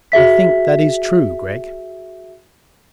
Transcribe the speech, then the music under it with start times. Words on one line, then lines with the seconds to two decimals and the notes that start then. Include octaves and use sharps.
"I think that is true, Gregg!"
0.12 F#4 G#4 E5 B6